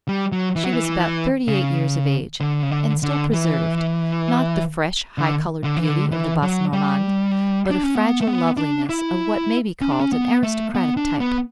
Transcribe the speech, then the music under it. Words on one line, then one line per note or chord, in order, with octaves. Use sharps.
She was about thirty-eight years of age, and still preserved, not the fresh, high-colored beauty of the Basse-Normandes, but a fragile loveliness of what may be called an aristocratic type.
G3
F#3
E3
F#3
E3
C#3
D3
C#3
D3
D3
E3
D3
D3
E3
D3
E3
F#3
G3
D4
C#4
B3
A3
B3
D4
E4
C#4
D4
C#4
B3
A3
B3
D4
B3